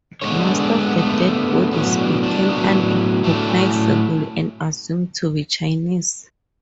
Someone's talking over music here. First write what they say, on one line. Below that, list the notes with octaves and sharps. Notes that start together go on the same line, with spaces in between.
Most of the dead bodies became unrecognizable and assumed to be "Chinese".
D3 G#3 B3 C#5
D4
D4
B3
D3 A3 B3
A2 F#3 B3 C#4
D4
D4
A2 F#3 B3
A2 F#3 A3 D4
C#4